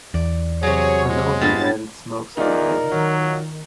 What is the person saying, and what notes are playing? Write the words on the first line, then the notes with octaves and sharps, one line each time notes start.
An older man smokes on a bench.
E2 D5
C3 F#3 G#4 C#5
G#3
G2 B3 A6
E2 D#4 F4 A#4 D5
D#3 F#3